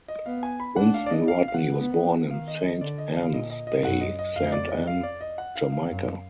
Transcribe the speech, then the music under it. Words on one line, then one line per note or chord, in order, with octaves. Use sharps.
Winston Rodney was born in Saint Ann's Bay, Saint Ann, Jamaica.
D#5
B3 F5
G#5
B5
D4 F#5
F5
D5
D#5
F5
F5
F#5
B3
D#3 F5
D#5
D#5
D3 D5
D#5
F5
A#2 D#5
D#5
D#5
F#2 F#5
D#5
D#5
F2 F5
D#5
D5
D#5
F5
D5
D#5
F#5
F5
F5
F#2